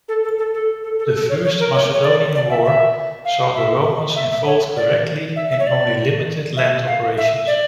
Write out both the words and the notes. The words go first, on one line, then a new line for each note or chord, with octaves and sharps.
The First Macedonian War saw the Romans involved directly in only limited land operations.
A4
A4
A4
A4
A4
A4
A4
C#5
C#5
A#4
C#5
C#5
D5
D5
E5
E5
F5
E5
E5
E5
C#5
D5
E5
E5
C#5
D5
E5
F5
E5
D5